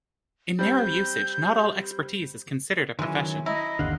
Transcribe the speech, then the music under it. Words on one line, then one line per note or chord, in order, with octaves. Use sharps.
In narrow usage, not all expertise is considered a profession.
G3 C4 G6
D#3 E3 F#3 G#3 C#4
E4 D#5 A#5
G1 D#2 D3 F5 F#5 C6